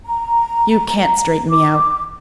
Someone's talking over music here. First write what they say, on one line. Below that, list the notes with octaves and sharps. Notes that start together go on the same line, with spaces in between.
"You can't straighten me out."
A#5
D6